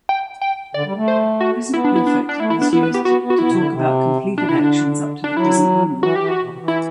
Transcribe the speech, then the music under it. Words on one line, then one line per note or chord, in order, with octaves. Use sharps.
Present Perfect is used to talk about completed actions up to the present moment.
G5
G5
D3 D5
G3
A3
C5
F#4
B3 E4
D4
E4
D4
D4
A3 E4
E4
B3 D4
B3 E4
B4
B3 G4
B3 F#4
B3
F#4
B3 E4
C3
D3
C3
B2 D4
C3 E4
D3 D4
D4
F#3 E4
E3 F#4
E3 G4
F#4
B2
C3
E3
E4